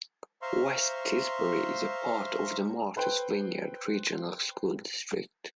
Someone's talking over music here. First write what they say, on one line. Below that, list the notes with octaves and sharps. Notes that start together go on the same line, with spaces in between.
West Tisbury is a part of the Martha's Vineyard Regional School District.
C5 E5 F5 A#5 C6 C#6
A4 B4 C5 G5